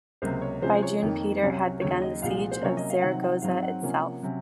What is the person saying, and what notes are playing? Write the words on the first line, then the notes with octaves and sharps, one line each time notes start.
By June Peter had begun the siege of Zaragoza itself.
C#2 C3 F#3 A#3 C5
C#5
C3 F3 G#3 C#4 C5
C#5
F2 D#3 A#3
C2 C3 F#3 C#4
D#2 C#3 F#3 C#5
D#5
C2 A#2 F3 G#3 F5
C5
C3 F#3 A#3 C#4 C#5
D#5
F5
C3 D#3 F#3 C4 F#5
F#5
G#2 F#3 C4 F5
F#5
C3 F3 A#3 C#4
C3 F#3 C#4